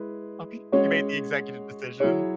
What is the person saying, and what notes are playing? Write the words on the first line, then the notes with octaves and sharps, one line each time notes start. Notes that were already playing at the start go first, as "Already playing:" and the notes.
Okay. You made the executive decision?
Already playing: G#3 E4 B4
G#3 C#4 F#4 C#5
F#3 E4 G#4 C#5